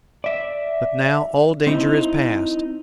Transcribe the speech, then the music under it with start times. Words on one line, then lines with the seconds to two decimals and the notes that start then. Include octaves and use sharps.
But now all danger is past.
0.24 D5 E5
1.67 C4 D#4 E4